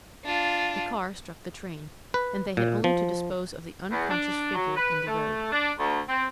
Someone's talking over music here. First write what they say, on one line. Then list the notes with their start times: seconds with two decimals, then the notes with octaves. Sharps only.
The car struck the train, and they had only to dispose of the unconscious figure in the road.
0.25 D4 F4
2.14 B4
2.57 A#2
2.84 F3
3.91 E2
4.10 D4
4.55 F#3
4.77 B4
5.07 A3
5.52 D4
5.79 D2
6.08 C4